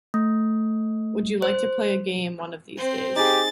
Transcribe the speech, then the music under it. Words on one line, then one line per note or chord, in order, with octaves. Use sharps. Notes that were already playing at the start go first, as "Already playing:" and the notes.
Would you like to play a game one of these days?
A3
C5
C4 C5
D#4 G4 G#4 A6